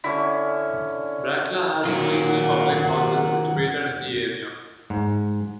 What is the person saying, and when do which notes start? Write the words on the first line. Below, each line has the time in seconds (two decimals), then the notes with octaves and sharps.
Brackla has only three Public Houses situated in the area.
0.04 D3 C#4 E4
1.85 D#3 F#3 F4 A#4 F#5
4.90 G#2